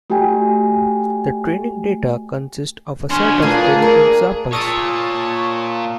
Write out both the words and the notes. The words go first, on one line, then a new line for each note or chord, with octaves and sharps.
The training data consist of a set of "training examples".
A3 F#4 G4 G5 G#5
B2 C#4 D4 C6
A3 A#3 D4 F4 G#4 B4
A#4
A#2 C#5 A5 D#6 E6 A6